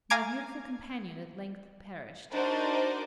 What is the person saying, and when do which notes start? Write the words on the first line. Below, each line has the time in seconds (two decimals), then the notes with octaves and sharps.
My beautiful companion at length perished.
0.10 F5 G#5 A#5 D6 G#6 D7
2.33 D4 D#4 F#4 A#4 C5 D5